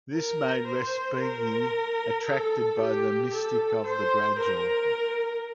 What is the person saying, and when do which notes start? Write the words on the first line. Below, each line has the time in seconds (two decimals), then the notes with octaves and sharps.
This made Respighi attracted by the mystic of the gradual.
0.15 A#4
0.67 C5
1.20 A#4
2.27 A4
2.80 G4
3.33 A4
3.86 C5
4.40 A#4